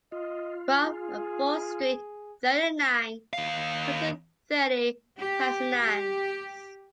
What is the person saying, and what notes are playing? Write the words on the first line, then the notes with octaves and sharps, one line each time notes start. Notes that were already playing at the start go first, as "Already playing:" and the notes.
Quart Avaux street, thirty nine, two hundred thirty, Passenans.
F4 D#5
G#4
D#2 F5
G4
G4